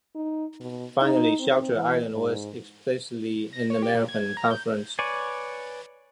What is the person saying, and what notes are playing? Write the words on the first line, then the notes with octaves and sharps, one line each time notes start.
Finally, Shelter Island was explicitly an American conference.
D#4
B2
D#4
C4
E3
G#2
A#6
C#5
G4
A#2
G#6
G#6
A#5
G6
B4 C#5 D5 G#5